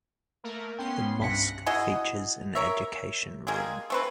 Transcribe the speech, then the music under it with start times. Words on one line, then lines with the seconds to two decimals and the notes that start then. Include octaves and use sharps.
The mosque features an education room.
0.44 A3 A#3 A#4
0.79 B3 C#4 G5 C6
1.20 C2 G2 F#6 A#6 B6 C#7
1.66 E4 F#4 G#4 D#5
2.55 A#4 C#5 E5
3.47 G3 G#3 A#3 G#4
3.90 A3 C4 B4